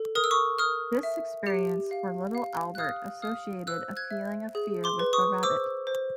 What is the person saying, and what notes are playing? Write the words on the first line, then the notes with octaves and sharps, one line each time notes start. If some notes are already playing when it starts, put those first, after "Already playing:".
This experience for Little Albert associated a feeling of fear with the rabbit.
Already playing: A4
A#4 D#6
E6
C#6 D#6
A#4 D#6 F6
E5
G4
F5
F5
F#6
F5 D#6 F6
F5 D#6 F6
C5 E6 F#6
F#6 G#6
E5
G#4
C6 D6
B4
C#6 D#6
C5 D6 E6
C5